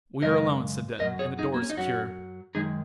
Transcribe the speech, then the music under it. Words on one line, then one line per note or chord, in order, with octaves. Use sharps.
"We are alone," said Denton, "and the door is secure."
F#2 C#3 G#3 A#4 D#5
F#2 F#3 A#4 D#5
G#4 C#5
D#4 G#4
A#3
C#4
D#4
F#2 F#3 C#4 F#4
F#2 D#3 G#3 D#4 G#4